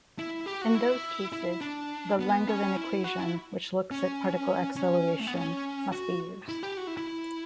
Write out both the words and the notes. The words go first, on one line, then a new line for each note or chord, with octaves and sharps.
In those cases, the Langevin equation, which looks at particle acceleration, must be used.
E4
G4
F#4
E4
E4
D4
B3
C#4
E4
F#4
E4
C#4
C#4
A3
B3
C#4
F#4
E4
G4
F#4
E4
E4